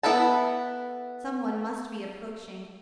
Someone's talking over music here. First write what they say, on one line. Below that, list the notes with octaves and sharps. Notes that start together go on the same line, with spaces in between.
Some one must be approaching.
B3 E4 A4 B4 A5